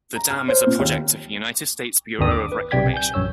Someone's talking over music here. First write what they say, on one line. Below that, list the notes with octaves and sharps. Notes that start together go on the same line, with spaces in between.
The dam is a project of the United States Bureau of Reclamation.
A#5
F6
C5
A#2
D#2
G#1 D#2 D3 D4 G5 D#6
D6
B4
B1 C3 D5 G5 G#6 B6
G#5 G6
A#1 F#2 C#5 E6